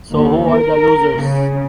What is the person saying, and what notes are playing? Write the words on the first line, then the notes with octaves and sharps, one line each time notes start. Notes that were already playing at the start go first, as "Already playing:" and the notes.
So who are the losers?
D#2
A#4
C#3